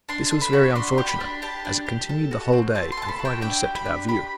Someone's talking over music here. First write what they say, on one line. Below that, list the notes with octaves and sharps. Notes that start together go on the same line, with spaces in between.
This was very unfortunate, as it continued the whole day, and quite intercepted our view.
D4 C6
A4
B5
F#4
D4 C6
G4
B5
D4
G4 A5
D4
G4
A4
F#4
C4
C4 A5
C6
A4 A5
B5
F#4
G5
D4 G5
G4
B5
D4
G4 B5